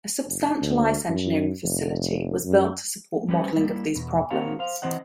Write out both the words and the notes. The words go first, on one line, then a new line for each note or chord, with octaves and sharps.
A substantial ice engineering facility was built to support modeling of these problems.
F#1
D2
F#2
F1
F#2
G3 A3 C#4 F#4 B4 C5
G3 A#3 E4
E2 B2
C4 F#4 A4 A#4 C#5 F5
C5 F5
E3 C4 C5 D#5 F#5